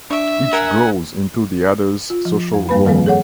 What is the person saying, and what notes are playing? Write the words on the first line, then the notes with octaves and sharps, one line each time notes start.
Each grows into the other's social role.
D4 E5 C#6 D6
A#4 F#5 G#5
F4
F3
F2
G2 G3 A#3 B4 B5
D#3 F3 G3 A#3 C4
G#4 A4 C#5 F#5